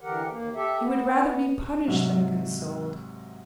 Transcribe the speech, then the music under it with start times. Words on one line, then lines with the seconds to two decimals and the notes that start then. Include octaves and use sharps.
He would rather be punished than consoled.
0.01 D3 E3 G4 A#4 F#5
0.30 D#2 A#3
0.55 G4 A4 E5
0.80 B3
1.87 G#2 C3 F#3